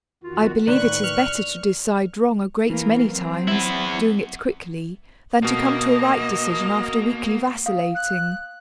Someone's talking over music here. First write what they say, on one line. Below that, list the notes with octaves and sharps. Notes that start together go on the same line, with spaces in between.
I believe it is better to decide wrong a great many times--doing it quickly--than to come to a right decision after weakly vacillating.
E2 D#3 F4 F#4
A2 D3 D#3 B4 D5 C#6 F#6
F6
E3 A#3
F#3 C4
B3 E4
D2 B2 A#3 D#5
F5 D#6
F#6